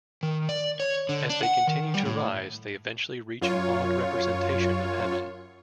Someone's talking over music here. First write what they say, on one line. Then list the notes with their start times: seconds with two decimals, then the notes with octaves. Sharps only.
As they continue to rise, they eventually reach an odd representation of heaven.
0.23 D#3
0.49 D5
0.80 C#5
1.09 D3
1.30 D4
1.43 F#5
1.67 D#3
1.94 G3
2.05 A2
3.41 F#2 F4 C#5